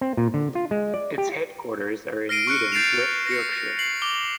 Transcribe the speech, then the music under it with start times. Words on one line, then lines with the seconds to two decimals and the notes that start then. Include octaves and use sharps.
Its headquarters are in Yeadon, West Yorkshire.
0.01 C4
0.17 A#2
0.34 D3
0.55 F4
0.71 G#3
0.94 D5
1.18 G4
2.29 F6 A#6 C7 D7 D#7
2.47 C#6 F6 F#6 C#7
2.72 G6 A6 C7 D7 E7 F7
3.27 A#6 C#7
3.79 C7 F#7
4.02 D6 F7 G7